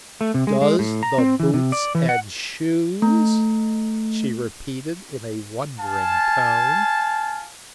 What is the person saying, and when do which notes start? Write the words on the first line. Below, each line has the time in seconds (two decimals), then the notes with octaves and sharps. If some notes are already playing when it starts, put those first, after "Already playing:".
'Does the boots and shoes!' she repeated in a wondering tone.
0.21 A3
0.34 C3
0.47 G#3
0.62 G#3
0.79 A2
1.03 A#5
1.18 C4
1.40 E3
1.54 C3
1.72 D5
1.95 E3
2.09 F#5
3.02 A3
5.80 F5 G#5 A5